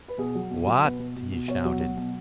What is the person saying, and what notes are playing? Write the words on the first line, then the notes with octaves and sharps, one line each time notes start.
"WHAT!" he shouted.
B4
B2 G#4
F#3
B2
F#3
B2 B4
B2
B2
B2
B2 C#5
F#3
F#3
B2